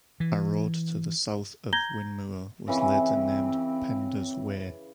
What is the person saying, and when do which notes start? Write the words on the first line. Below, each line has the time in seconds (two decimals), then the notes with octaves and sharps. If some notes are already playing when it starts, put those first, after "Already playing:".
A road to the south of Whinmoor was later named Penda's Way.
0.20 E3
1.73 A#5 G6 G#6 A#6 G7
2.68 C#3 E3 C4